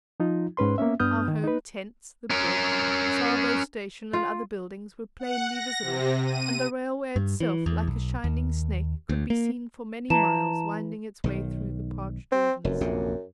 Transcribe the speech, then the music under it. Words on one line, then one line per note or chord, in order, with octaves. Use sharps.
Our home tents, the bridge, Tsavo Station and other buildings were plainly visible, and the railway itself, like a shining snake, could be seen for many miles winding its way through the parched wilderness.
F3 D#4 F4
G#2 C#4 B4 C6
A#3 B3 C#4 E5
G2 B3 D4 D#6 F6 G6
D#3
D#4 B4
C#4 A#4
F4
F#5
A#6
C3
D#7
G2
E3
E2
B1
D#2
D2
A#3
E3 A5 A#5 E7
B1 D#3
C4
F1 F#2
A#1 F2 C3